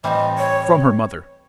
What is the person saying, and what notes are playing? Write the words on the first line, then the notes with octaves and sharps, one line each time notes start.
From her mother.
A2 E3 G3 C4 D#5 E5
C#5